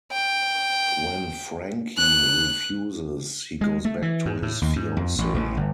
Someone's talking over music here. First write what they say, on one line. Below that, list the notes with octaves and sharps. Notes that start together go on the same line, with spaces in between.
When Francie refuses, he goes back to his fiancee.
G5
F#6
G#3
A3
E3
G#2
A2
D#2
G#2
F2
A1
A1
G1